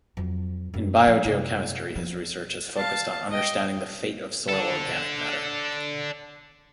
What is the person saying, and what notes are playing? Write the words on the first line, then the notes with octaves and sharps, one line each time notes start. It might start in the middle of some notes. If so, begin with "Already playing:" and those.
In biogeochemistry his research has focused on understanding the fate of soil organic matter.
F2 F#3
F#2
F3
F#2 C3
F3
F5 A5
D#5 G5
D4 A4